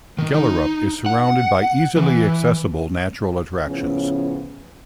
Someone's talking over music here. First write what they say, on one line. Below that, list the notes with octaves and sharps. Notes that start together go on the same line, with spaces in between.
Gellerup is surrounded by easily accessible natural attractions.
D#3
D#4
F#5
E3
A2 C#3 F3 B3 C#4